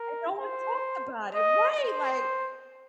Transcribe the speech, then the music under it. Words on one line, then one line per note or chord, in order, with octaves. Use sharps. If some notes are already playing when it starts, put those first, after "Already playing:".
and no one talked about it Right, like,
Already playing: A#4
C5
D#5
C5